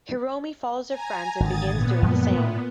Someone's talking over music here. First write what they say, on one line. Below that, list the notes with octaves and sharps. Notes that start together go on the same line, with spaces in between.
Hiromi follows her friends and begins doing the same.
G#5 A#5
G#1 D3 D#6 G#6 A6
A#2 B3
F#2 F3 G#3
A2